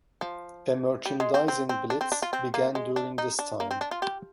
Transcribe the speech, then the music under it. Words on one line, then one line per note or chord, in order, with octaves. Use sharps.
A merchandising blitz began during this time.
F3
G3
G#3
C4
C4
C4
D4
C4
D4
F4
C4
A#3
G#3
D4
D#4
D4
A#3
C4
D4
F4
G4